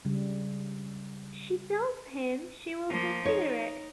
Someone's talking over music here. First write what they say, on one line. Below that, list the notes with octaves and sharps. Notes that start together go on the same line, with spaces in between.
She tells him she will consider it.
C#3 G3
F3 A#3
D#4 C#5